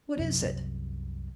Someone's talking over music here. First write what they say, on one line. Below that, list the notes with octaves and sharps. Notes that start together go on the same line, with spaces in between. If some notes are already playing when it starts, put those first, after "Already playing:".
"What is it?"
C2 F#2